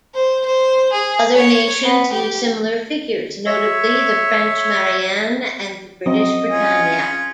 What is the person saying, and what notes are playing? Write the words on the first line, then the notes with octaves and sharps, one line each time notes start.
Other nations used similar figures, notably the French Marianne and the British Britannia.
C5
C5
G#4
C#5
B3
G4
C#5 E5
F#3 C4 D#5
C#4 F4 G#4